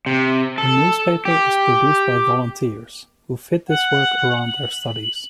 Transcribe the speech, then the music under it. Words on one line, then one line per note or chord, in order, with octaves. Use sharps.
The newspaper is produced by volunteers, who fit this work around their studies.
C3
A4
G4
F#5
F#7